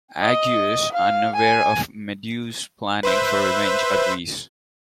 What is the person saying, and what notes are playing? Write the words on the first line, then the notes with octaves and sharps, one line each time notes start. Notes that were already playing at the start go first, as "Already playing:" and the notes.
Aegeus, unaware of Medea's plans for revenge, agrees.
D#5
F5
G#5
B4 C5 E5